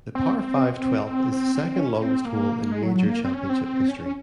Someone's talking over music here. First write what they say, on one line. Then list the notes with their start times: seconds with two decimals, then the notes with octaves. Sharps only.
The par five twelfth is the second longest hole in major championship history.
0.15 C4
0.39 C4
1.32 C4
1.55 C4
1.79 C#4
2.02 C4
2.25 A#3
2.72 G#3
2.83 F#3
2.95 F#3
3.07 A#3
3.25 C4
3.34 C#4
3.49 C4
3.65 C4
3.88 C#4
4.06 C#4